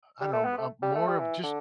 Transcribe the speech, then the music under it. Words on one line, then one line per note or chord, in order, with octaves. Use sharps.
I don't know uh, a more of just
G3
A3
B3
A3
G3
A3
G3
E3
D3